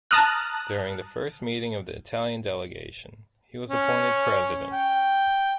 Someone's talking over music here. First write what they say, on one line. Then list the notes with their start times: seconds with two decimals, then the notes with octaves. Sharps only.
During the first meeting of the Italian delegation he was appointed President.
0.11 A5 A#5 D#6 F6 F#6
3.68 C#4
4.73 G5